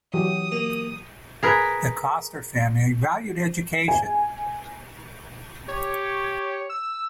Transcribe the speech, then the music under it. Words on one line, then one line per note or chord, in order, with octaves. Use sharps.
The Coster family valued education.
E3 F#3 G4 D#6
A#3
G#4 A#4 B4
G#5
G4 C#5
E6